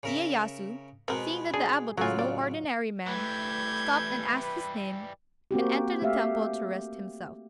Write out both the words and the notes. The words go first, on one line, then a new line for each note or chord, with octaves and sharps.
Iyeyasu, seeing that the Abbot was no ordinary man, stopped and asked his name, and entered the temple to rest himself.
C#3 A#4 E5
B2 G#3 B3 C4 A#4
D4 G#4
A1 C#3 F#3 A3 F4 G#5
D5 F5
E3 G3 A3 B4 G6 G#6
A#3 C4 F#4 G4
A3 G4 E5 F5